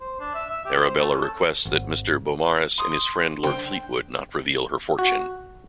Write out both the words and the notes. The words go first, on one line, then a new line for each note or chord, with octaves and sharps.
Arabella requests that Mr Beaumaris and his friend Lord Fleetwood not reveal her "fortune".
C5
D4
E5
E5
G4
C5
A3
C#4
A4
G#1
C6 D#6
D3 C5 G5 C6
F#4